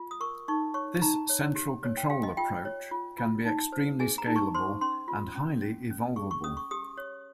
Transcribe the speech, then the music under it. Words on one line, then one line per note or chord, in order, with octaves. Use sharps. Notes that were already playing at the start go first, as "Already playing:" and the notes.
This central control approach can be extremely scalable and highly evolvable.
Already playing: F4
D#6
A#4 C#6
D#4 C#6
C#5 C#6
D#4 A#5
C#5
G4
C#5
G5
G4 F5
D#5
F4 G5
C#5
F4
F4
D#4
C5
G#4 G#5
A#5
D#4
C#6
C5 C6
C#4 C6
F4
C#4
C#4
C#4
G#4 C#6
C#6
C#4 D#6
C#6
G4 D#6
C#5